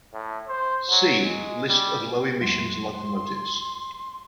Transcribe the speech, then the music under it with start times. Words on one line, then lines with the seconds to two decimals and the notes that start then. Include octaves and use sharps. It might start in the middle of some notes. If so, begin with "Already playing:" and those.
"See" List of low emissions locomotives.
0.14 A2
0.48 C5
0.90 F#3
1.24 G#3
1.68 G3
2.41 F2 F#3 G#3 C6